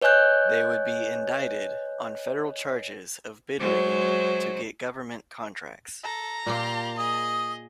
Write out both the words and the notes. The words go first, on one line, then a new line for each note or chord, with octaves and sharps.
They would be indicted on federal charges of bid rigging to get government contracts.
B4 C#5 D#5 G#5 F#6 G6
F#3 G#3 C5
A4 A#5
A#2 A#3 F4 G4
G#4 D#5 D#6